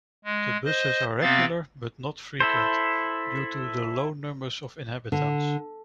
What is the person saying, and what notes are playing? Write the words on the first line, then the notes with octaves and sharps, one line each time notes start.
The buses are regular, but not frequent, due to the low number of inhabitants.
G#3
C5 D#5
C3 B3 C4 F5 A6
E4 A4 C5
D3